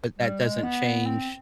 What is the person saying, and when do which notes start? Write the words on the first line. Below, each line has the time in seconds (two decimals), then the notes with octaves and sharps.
but that doesn't change,
0.19 G3
0.41 G#3
0.63 B3
0.85 B3
1.06 C4